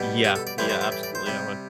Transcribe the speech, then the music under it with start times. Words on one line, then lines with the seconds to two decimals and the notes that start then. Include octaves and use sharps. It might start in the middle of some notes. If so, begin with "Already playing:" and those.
Yeah, yeah, absolutely, I would.
Already playing: B2 G3
0.24 G4
0.36 A4
0.47 D5
0.58 A2 E3 G3 C5
0.70 C5
0.81 C5
0.92 D5
1.03 D5
1.15 C5
1.26 C3 G3